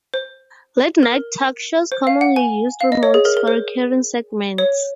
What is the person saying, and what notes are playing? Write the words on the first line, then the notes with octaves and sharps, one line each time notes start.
Late night talk shows commonly used remotes for recurring segments.
C5
A#4
C5
F5
F#5
G#5
F5
D#5
C#5
G#4
A#4
A#4
C5
C#5